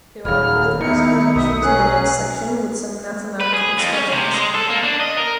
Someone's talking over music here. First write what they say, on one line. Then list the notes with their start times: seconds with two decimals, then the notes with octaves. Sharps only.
There are further explanations in the next section with some mathematical expressions.
0.25 D#1 D#2 C#3 F#3 G#4 F5 B5 F6
0.81 D#3 G3 B3 D#4 E4 C#7
1.36 B1 D#4 E5 D#6
1.62 F#3 C#4 G#4 B4 F#6
3.40 B4
3.54 G#4
3.78 F2
3.93 C#4
4.13 C3
4.33 G#3
4.55 A4
4.70 A#3
4.83 D4
5.00 D#5
5.17 A#4